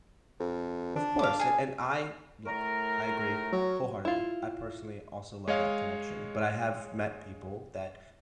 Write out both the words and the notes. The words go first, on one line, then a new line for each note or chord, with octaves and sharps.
of course, a and I look, I agree wholeheartedly. I personally also love that connection, but I have met people that
F2
D4
F5 D6
G#4 G#5
A2 A3 A#4
F#3
E4 F4
G#3 C#5 D#5 F5